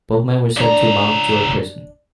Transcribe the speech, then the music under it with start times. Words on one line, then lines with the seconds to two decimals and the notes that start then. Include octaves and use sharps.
Both men were sent to Mountjoy Prison.
0.57 C#2 D4 D5 A#5